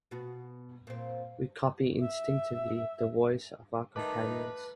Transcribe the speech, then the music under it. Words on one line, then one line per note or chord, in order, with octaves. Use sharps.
We copy instinctively the voices of our companions.
B2 B3 F#4
A#2 C4
E5
D#3 A3 D#4 B4 A5 D6